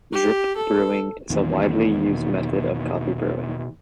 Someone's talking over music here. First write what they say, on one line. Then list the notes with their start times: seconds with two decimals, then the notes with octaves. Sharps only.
Drip brewing is a widely used method of coffee brewing.
0.13 G4
0.56 A4
1.30 E2 A#2 D#3
2.07 B2